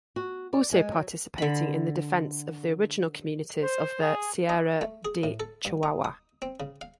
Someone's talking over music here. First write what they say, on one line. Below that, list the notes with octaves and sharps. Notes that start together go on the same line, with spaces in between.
Also participating in the defense of the original communities of the Sierra de Chihuahua.
F#4
D5
G#3
F#3
D3 B5
C5
G#4
D#4
A3
G#4
A2
A4
G2
D#4
D#6
C4
C#3
F5